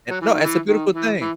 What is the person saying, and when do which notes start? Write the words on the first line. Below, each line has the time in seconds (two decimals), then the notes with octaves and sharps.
Eh, no, it's a beautiful thing,
0.10 F#3
0.21 E3
0.32 D#3
0.43 E3
0.66 D#3
0.92 E3
1.21 E3